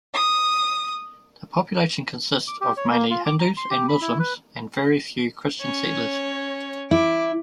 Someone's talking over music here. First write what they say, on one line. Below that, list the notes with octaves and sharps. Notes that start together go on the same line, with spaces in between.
The population consists of mainly Hindus and Muslims and very few Christian settlers.
D#6
D6
G4
C#5
A#3
F4
D6
A#5
C6
G4
B5
E4
B4
C#4 C#5
E4 D6